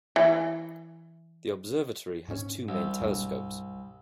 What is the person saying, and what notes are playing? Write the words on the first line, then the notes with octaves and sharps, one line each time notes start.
The observatory has two main telescopes.
E3
G#2 C#4
C2
B1 G2